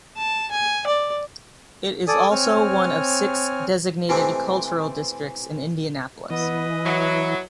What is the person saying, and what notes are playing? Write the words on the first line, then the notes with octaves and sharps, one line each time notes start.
It is also one of six designated cultural districts in Indianapolis.
A5
G#5
D5
A4 D5 G#5 D#6
C4 C#5 G#5 F6
C3 E3 G#3 A3 C4
E3 B3 B4 D#5
F#3 E4